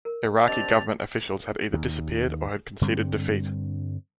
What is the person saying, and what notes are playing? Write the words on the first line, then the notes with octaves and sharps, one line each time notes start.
Iraqi government officials had either disappeared or had conceded defeat.
A#4
C4 D4 G4 D#5 A6 F7
D#2
G2 D3 G3 C4